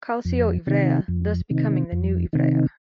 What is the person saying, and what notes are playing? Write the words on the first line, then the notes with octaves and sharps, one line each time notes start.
Calcio Ivrea, thus becoming the new "Ivrea".
F2
C3 D#3
F2
C3 D#3
F2
C3 D#3